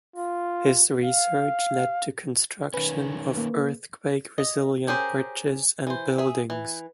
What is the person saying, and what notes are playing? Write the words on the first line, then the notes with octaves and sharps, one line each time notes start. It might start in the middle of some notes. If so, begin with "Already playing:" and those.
His research led to construction of earthquake resilient bridges and buildings.
F4
F5
D#3 C#4 B4
A#3
D#5
C#4 G4 G#4 A#4 C5
E3 C5
G#4 E5
E3